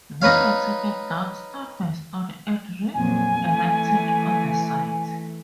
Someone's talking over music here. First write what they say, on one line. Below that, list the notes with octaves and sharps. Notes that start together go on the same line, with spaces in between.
They were taken down stone by stone and re-erected on the site.
D#4 B4 C#5 F5
F2 A#2 F#3 G#5
E3 A3